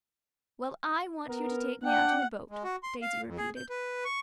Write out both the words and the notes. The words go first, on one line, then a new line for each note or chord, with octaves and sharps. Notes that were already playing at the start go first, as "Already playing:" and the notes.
"Well, I want you to take me out in a boat!" Daisy repeated.
B3 A#4
D4 F#5 G5
G#3
F#4
C6
F5
F2
G#4
G6
B4
C#6